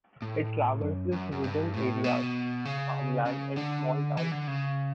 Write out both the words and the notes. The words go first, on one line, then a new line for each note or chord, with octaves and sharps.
It traverses wooded areas, farmland and small towns.
A2
F#2
F#2
F#2
G2
A2
B2
C#3
C#3
D3
E3
D3
C#3